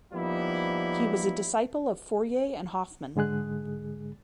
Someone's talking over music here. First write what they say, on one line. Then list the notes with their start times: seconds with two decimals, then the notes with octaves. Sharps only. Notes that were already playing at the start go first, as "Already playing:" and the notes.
He was a disciple of Fourier and Hoffman.
0.13 F3 G3 A#3 B3 D#4 E4
3.16 G#2 D3 G#3 G#4 F#6